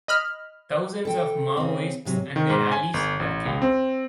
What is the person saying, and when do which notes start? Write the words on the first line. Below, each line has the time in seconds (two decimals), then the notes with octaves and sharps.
Thousands of Maoists and their allies were killed.
0.08 D#5 B5 F6
1.05 A4 G5
1.57 C#3 C4
2.05 G#2 C3 F#3
2.36 D#3
2.50 G#2
2.72 G#5
2.94 G1
3.20 A1
3.46 C#2
3.62 C4